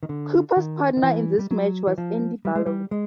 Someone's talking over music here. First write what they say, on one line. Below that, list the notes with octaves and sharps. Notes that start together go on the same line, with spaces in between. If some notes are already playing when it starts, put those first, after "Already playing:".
Cooper's partner in this match was Andy Barlow.
D#3
D3
D#3
D#3
E3
G3
F#3
E3
F3
G3
G#3
G3
G#3